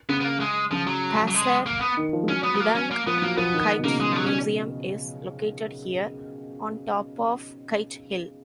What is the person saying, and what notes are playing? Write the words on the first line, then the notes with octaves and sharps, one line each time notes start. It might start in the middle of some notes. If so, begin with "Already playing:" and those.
Pasir Gudang Kite Museum is located here, on top of Kite Hill.
C#3 B3
B3
A#3
G#3
C#3 F3
F#3
F#3
G#3
A#3
B3
D#3
F3
G#3
F#3 C#4
B3
B3
A#3
C#4
A#3
F3 B3
B3
F#3 A#3
F3 B3
D#3
B2
C#3 A#3
G#3
F3
F#3
C#4